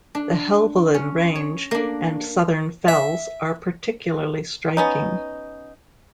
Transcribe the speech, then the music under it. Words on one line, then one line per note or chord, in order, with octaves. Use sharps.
The Helvellyn range and Southern Fells are particularly striking.
D4
C#4
C#5
A#3 D4
E5
B3 C#4 D#4